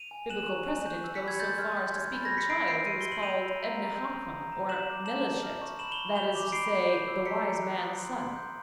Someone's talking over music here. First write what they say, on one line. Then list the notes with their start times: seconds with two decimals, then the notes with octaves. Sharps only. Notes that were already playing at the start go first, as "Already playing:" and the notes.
Biblical precedent goes so far as to speak of a child who was called Ebnehaquem or Melilechet--that is to say, the Wise Man's son.
Already playing: D#7 F7
0.11 G#5
0.30 F#6 E7 F#7
0.49 C#6
0.66 G#5
0.86 G6
1.04 E6
1.15 B6 C#7
1.22 B5
1.28 G#6
1.40 C6 G6 A6
1.50 G6
1.58 F6 G#6
1.77 C6 G6
1.95 F6 G#6
2.13 B5 G6 A6
2.25 G#6 A#6
2.31 B5
2.37 B6 C#7
2.50 G6 C7 D7
2.68 E6 C7 D7
2.86 C6 C#7 D#7
3.01 C6 G7
3.12 F#7
3.23 G6 D#7 F7
3.42 E6
3.60 A#5
3.78 A#5
3.96 G6
4.15 D#6
4.34 A#5
4.52 A#5
4.69 G6 E7 F#7
4.89 D6
5.06 A5 E7 F#7
5.25 A5
5.43 F6
5.61 C#6
5.79 B5 E7 F#7
5.91 F7 G7
5.98 B5
6.16 G6 F7 G7
6.35 D6
6.52 B5 C7 D7
6.71 B5
6.90 G6
7.08 E6
7.26 A#5 B6 C#7
7.44 A#5
7.63 F#6
7.81 D#6
7.99 C6
8.18 C6
8.36 G6